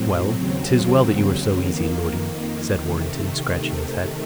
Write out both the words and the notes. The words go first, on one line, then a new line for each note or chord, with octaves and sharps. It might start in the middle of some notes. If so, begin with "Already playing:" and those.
"Well, 'tis well that you are so easy, lording," said Warrenton, scratching his head.
Already playing: A2 F#3 C4
D#2 C#3 F#3 C4
F2 D#3 A#3
C3 D#3 A3